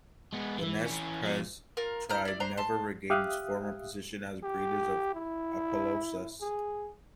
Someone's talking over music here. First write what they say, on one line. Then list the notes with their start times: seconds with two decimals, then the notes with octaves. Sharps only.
The Nez Perce tribe never regained its former position as breeders of Appaloosas.
0.33 G#3 B3
0.58 E3 F3
0.85 E3 C#4
1.23 B2 F3
1.77 F4 A#4
2.09 E4 A#5 F6 G6
2.25 E4 D5
2.40 D4 C5 A#5
2.57 A5 C6
3.10 G4 E5 F5 D#6 F#6
4.43 G4
5.14 E4
6.41 G#4